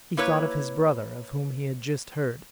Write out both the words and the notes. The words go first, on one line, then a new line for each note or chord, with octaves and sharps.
He thought of his brother, of whom he had just heard.
A#3 E4 B4 C#5